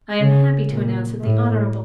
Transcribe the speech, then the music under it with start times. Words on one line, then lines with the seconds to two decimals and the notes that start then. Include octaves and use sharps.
I am happy to announce that the Hon.
0.20 C#3
0.70 A#2
1.20 A2